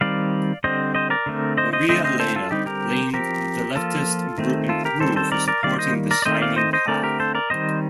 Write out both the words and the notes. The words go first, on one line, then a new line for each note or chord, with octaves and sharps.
Maria Elena blamed the leftist group in Peru for supporting the Shining Path.
D#3 G3 C4 D5 F5
D3 G3 C4 C5 D#5
C5 D#5
A#4 D5
D3 A3 C4
C5 D#5
C5 D#5
D3 A3 C4 C5 D#5
C5 D#5
A4 C5
F4 A4
D3 G3 C4 D#4 G4
G4 A#4
F3 C4 G4 A#4
F3 A#3 F4 A4
D#3 A3 C4
F4 A4
G4 A#4
D#3 G3 C4 A4 C5
A4 C5
A#4 D5
A#4 D5
D#3 G3 A#3 D5 F5
C5 D#5
A#4 D5
D5
D#3 A3 C4 C5 D#5
D5 F5
C5 D#5
C5 D#5
D3 A3 C4 A#4 D5
G4 A#4
A4 C5
A#4 D5
D#3 G3 C4 C5 D#5